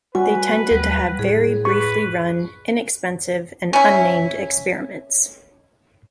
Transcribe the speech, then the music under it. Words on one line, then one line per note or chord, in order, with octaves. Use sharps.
They tended to have very briefly run, inexpensive, and unnamed experiments.
G3 F#4 B4 G#5
D#2 F#3 G3
A2 G#4
B4 C#6
C#4 E4